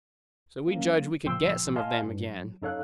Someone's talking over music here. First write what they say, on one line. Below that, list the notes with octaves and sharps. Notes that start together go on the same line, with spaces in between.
So we judged we could get some of them again.
F#3 A#3 C#4
C#2 A#2 F3 G5 C6 E6
D#5 F5 G#5 A5 C6 F6
G2
F#3
F#2 D#4 A4 C#5 F5 F#6